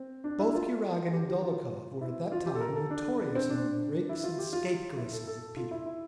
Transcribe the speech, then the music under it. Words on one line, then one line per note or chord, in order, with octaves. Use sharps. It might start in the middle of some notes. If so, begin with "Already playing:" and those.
Both Kuragin and Dolokhov were at that time notorious among the rakes and scapegraces of Petersburg.
Already playing: C4
D4
E4
F4
G4
G4
F4
E4
F4
G4
A4
A#4
A4
D4
D4
C4
D4
E4
F4
G4
F4
E4
A4
A4
F4
E4
E4